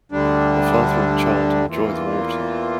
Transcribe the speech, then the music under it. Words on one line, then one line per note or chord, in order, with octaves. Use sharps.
A father and child enjoy the water.
D2 D3 G3 D4
E2 E3 A#3 F4